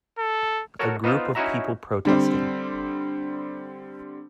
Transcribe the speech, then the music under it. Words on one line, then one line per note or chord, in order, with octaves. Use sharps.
A group of people protesting.
A4
F#4 A4 A#4 C#5
B3 D#4 F4 C5 F5
C#4 D#4 E4 F#4 E5 A#5
D3 G3 C4